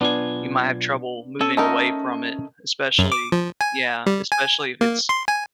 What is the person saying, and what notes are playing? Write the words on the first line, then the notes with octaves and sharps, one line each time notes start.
you might have trouble moving away from it, especially Yeah, especially if it's,
B1 B3 D4 F4 G#5
C#4 A4
A3 D#4 A#4
F#2
D6
F3
G#5
G3
G#5
A#3
C6
G#5